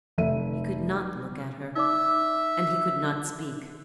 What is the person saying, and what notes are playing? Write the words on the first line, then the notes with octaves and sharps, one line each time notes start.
He could not look at her, and he could not speak.
F1 A4 E5 D#7
D#4 D5 E5 D6